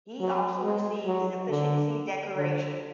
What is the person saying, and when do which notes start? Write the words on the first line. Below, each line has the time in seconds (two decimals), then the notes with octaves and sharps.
He also received an Efficiency Decoration.
0.20 F#3
0.64 G#3
1.06 F#3
1.49 D3
2.36 D3